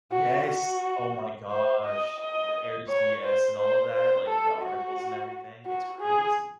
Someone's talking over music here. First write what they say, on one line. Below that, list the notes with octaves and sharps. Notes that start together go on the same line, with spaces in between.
Yes. Oh my gosh. The "-ers," the "-s" and all of that, like in the articles and everything, it's crazy.
F#4
F#4
C5
D#5
D#5
C#5
C5
C5
C5
A4
F#4
F#4
G#4